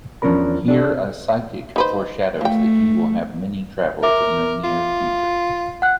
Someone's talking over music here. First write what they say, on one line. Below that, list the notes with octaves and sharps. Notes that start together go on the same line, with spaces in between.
Here a psychic foreshadows that he will have many travels in the near future.
E2 F3 C#4 D4 A#4 B5
D4 A4
D#3 B4 C5
F3 A3 G5
A#4 E5 D6
F4
F#5 F#6